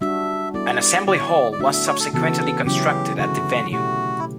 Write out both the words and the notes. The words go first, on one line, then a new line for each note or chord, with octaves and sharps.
An assembly hall was subsequently constructed at the venue.
G3 D4 F#4 E5
G3 B3 E4 A4 D5
D5
D3 G3 B3 E4 D5
C#5
D5
D5
A3 D4 F#4 E5
E5
C#5
A4
C#3 E3 B3 F#4 A4
C#3 F#3 C#4 E4 G4
D3 A3 E4 F#4 A4
B2 A3 E4 F#4 G4
E4